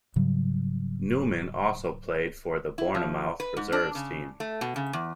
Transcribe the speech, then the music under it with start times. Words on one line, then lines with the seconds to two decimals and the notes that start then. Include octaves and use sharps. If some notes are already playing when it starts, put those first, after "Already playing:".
Newman also played for the Bournemouth reserves team.
0.16 G#2 C#3 F#3 G3
2.78 E4
2.95 F3
3.40 B4
3.57 G#2
3.72 D4
3.95 C#3
4.40 A3
4.61 B2
4.76 C#3
4.93 E2